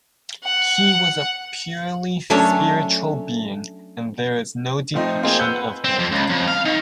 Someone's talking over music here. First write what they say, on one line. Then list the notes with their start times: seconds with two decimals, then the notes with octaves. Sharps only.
He was a purely spiritual being and there is no depiction of him.
0.44 F#5
2.30 F#3 A3 C#4 D4 A4 C#5
4.94 F3 A3 C4 D#4
5.23 A#3 C4 D#4 F4 G#4
5.39 B4 F#5 E6 G6 G7
5.84 C4
5.99 F2
6.11 C#2
6.29 F2
6.47 F5
6.65 D#3